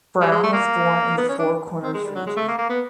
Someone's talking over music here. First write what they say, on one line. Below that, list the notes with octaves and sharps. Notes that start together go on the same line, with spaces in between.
Brown was born in the Four Corners region.
G3
G#3
A3
A#3
B3
C#4
D4
C4
G#3
G3
F#3
G#3
A3
A#3
A#3
B3